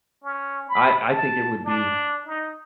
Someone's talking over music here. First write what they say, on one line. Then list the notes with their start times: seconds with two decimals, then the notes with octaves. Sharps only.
I I think it would be
0.24 C#4
0.69 B5
1.10 A5
1.65 D4
2.26 D#4